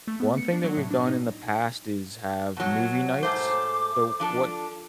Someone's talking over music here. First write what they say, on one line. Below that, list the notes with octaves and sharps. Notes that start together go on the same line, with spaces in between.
one thing that we've done in the past is have movie nights. So, what
A3
B3
C#7
D4
F#3
A2
D4
D#4
B2 F#3
G#2 A3 C5 D6
F3 D4 A4